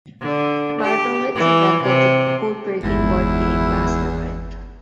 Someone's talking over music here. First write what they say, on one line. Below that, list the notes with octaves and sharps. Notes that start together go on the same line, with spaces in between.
Meirowitz invented the code-breaking board game "Master Mind".
D3
G4
E3
C3
G1 E2 G#2 E4